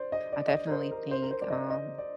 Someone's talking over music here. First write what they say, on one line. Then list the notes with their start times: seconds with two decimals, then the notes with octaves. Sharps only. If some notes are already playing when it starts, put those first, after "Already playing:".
I definitely think, um,
Already playing: C5 D5
0.12 D#5
0.32 D5
0.47 D#5
0.52 D5
0.67 A#4
0.71 C5
0.91 A#4
1.11 C5
1.22 A#4
1.31 C5
1.41 D5
1.50 D#5
1.70 D#5
1.98 D5